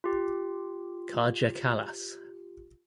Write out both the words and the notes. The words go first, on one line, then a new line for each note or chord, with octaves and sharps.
Kaja Kallas.
F4 G4